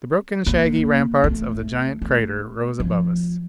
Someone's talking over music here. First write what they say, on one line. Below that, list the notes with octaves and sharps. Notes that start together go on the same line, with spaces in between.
The broken, shaggy ramparts of the giant crater rose above us.
A#3
A3
A3
F3